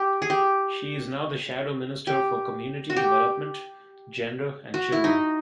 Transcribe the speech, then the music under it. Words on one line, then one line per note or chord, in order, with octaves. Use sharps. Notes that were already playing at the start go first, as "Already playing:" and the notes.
She is now the Shadow Minister for Community Development, Gender and Children.
Already playing: G4
G#4
G4
G4
F#4
G4
F#4
E4
D#4